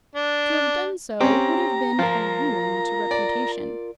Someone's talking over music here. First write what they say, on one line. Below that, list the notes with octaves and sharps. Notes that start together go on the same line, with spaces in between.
To have done so would have been a ruin to reputation.
D4
C4 C#4 G4 A#5
F3 F4 A#4
D5